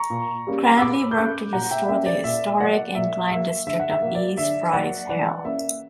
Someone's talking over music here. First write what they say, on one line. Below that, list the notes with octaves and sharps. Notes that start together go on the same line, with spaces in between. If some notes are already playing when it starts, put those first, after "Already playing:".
Cranley worked to restore the historic Incline District of East Price Hill.
Already playing: A#5 C#6
A#2
G3 A#3 C#4
E6
A#2 B5 D6
G6
A#3 C#4 D6 F#6
A#2 F#5 A#5
E5 G5
A#3 C#4 E5
D5
A#2 E5
F#3 A#3 D5 F#5
A#2 E5
F#3 A#3 E5
D3 E5
F#5
E5
F#3 A#3
D5
D3 E5
F#3 A#3 D5 F#5
E3 D5 F#5
A#3 C#4 E5